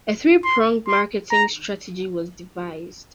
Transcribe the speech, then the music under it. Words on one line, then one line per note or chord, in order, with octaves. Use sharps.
A three-pronged marketing strategy was devised.
C6
C6
A#5